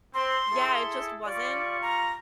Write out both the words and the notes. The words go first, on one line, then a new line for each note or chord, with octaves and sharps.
Yeah. It just wasn't
C4 C6
E4 G#4 A4
G3 F4 D5 C#6
A#5